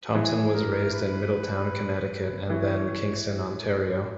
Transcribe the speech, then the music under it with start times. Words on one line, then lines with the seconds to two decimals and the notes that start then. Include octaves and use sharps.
Thompson was raised in Middletown, Connecticut and then Kingston, Ontario.
0.15 E3 G#4
0.54 A#4
0.93 B4
2.50 E3 C#5